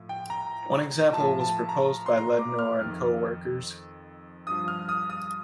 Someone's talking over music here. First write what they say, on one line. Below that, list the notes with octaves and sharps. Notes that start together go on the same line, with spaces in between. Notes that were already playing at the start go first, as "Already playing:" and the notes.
One example was proposed by Lednor and co-workers.
Already playing: A2 F3
G5
A#5
A2 F3 A5
A5
A#5
C6
A#5
D6
F6
F2 D#3
G2 F3 D#6
F6
D#6
D#6